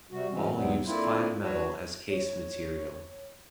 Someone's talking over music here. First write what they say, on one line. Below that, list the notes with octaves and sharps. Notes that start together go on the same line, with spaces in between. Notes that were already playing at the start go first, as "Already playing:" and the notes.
All use clad metal as case material.
C3 G3 F#4
E3 F#3 G#3 C4 C#4
E2 C3 F#3 G3 B3 C4
D3 A#3 C4 E4 F4
D4 F#4 B4 C#5
C#5